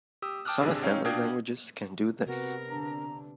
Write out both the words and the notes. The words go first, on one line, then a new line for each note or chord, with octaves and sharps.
Some Assembly languages can do this.
G4 D#6 E6
G5 A5 D6 D#6 F6 F#6
G#1 C3 D4 G#4 E6
C#4 D#4 C#5 F5 G5
B2 D4 F5 G5 D#6 G#6
C3 B3 F#4 A#4
D3 D4 A#5